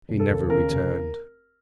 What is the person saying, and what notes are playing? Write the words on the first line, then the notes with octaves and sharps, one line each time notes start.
He never returned.
F1
A4
D#2
C#3 A#4
F1